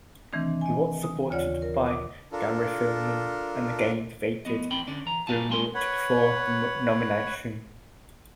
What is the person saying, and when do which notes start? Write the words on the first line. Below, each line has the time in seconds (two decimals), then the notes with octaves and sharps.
He was supported by Gary Filmon, and again defeated Bruinooge for the nomination.
0.33 C3 D#3 E3 A3 C4 D4
0.61 D#5 G#5
1.03 D#6
1.30 D#2 C#3 F4 C#5 D5 F#5
1.62 A#4
1.86 D6 D#6
2.32 D4 F4 A4 A#4
4.45 F2 D#3 B3 D#5
4.71 E2 A2 C4 G5 B5
4.88 D2 D3 C#4 D5
5.06 E3 A#5
5.27 G2 D#4 D5 F5 G#5 A5
5.49 B1 G#3 C4 F#4 G#5 C6
5.74 B4 C#5 F#5